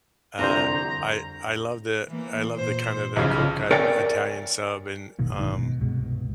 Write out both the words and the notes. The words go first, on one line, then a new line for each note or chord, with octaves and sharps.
Uh, I I love the I love the kind of the cold cut Italian sub and, um,
C2 F2 D3 D4 A#5 C6 G6
E3 A#3
A#2 C5
B1 C#3 F3 C#5
A#4 C#5 D5 E5 G5 G#5
F#1 B2 D#3 A#3
G1 G#2 D#3
B2
C2 G2 B2 G#3